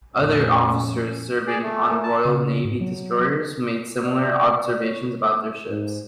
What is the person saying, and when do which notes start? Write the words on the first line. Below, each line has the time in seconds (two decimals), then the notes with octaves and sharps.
Other officers serving on Royal Navy destroyers made similar observations about their ships.
0.15 F2 A#2 A3 C#4
1.47 G#4 D5
1.63 A3
1.90 A#3 A#4 G#5
2.03 A5
2.25 C#3
2.65 G#2
2.81 F#3
4.05 D5
4.81 C#5
5.23 A3
5.69 G#2